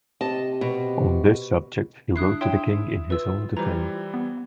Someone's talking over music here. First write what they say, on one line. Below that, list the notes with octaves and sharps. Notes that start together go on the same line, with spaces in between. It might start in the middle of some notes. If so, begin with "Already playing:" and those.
On this subject he wrote to the king in his own defence.
C3 D#5 A5
B2
G1 D4 E4 D#6 F#6 C7
E4 C#5 E5 G5 C6 D#6
F4 B4 E6
E3 G3 C5 A#5
B3